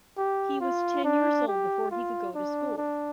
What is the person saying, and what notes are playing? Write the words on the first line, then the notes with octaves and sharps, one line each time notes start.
He was ten years old before he could go to school.
G4
F4
D4
G4
F4
D4
D4